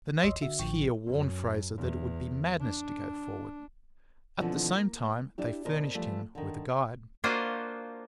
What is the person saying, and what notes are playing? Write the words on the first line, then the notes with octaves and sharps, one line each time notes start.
The natives here warned Fraser that it would be madness to go forward. At the same time they furnished him with a guide.
A1 D#2 C#5 D#5 C6 E6
D3 F#4 E5
A1 A2 D3 F3 G5 C#6
F#2
E2
D4
B2 D3 E3 F3 B3 C4
A#3
D4 E4 G4
B2 A#4 C5 D#5
E3 F3 G3 A3
D3 D#3
A#3 D4 F4 F#4 C5 D#5